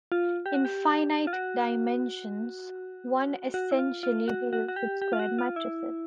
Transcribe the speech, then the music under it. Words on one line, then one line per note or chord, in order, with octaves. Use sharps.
In finite-dimensions, one essentially deals with square matrices.
F4
G4
F#4
G4
F4
F#4
F#4
E4
F4
F4
F#4
F#4
F#4
G4
G4
F4
F#4
F4
E4